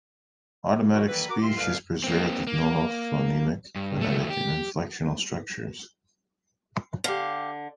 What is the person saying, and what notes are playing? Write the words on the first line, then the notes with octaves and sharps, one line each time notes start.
Automatic speech is preserved with normal phonemic, phonetic and inflectional structures.
A#2 D#3 G3 A#3 D#4 F#4
D#3 E3 G3 A#3 A4 B4
F#4 A#4 F#5 A#5 D6
F4 G4 A#4 E5 C6
C2 F#2 A4 B4 F5
A#3 C4
A#3
G2
D#2 A3
G4
D3 G4 F5